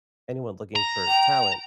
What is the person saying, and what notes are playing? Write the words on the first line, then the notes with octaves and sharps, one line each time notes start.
anyone looking for talent.
A#5
G5